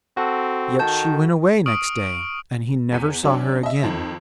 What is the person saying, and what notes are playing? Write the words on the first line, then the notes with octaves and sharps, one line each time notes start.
Yet she went away next day, and he never saw her again.
C4 F#4 A4
D#3 A5 G6
C#6 D#6 F6 D7 F#7
E2 B6 D#7
F#3 C#4 D4
D#5 E5
F2 D#3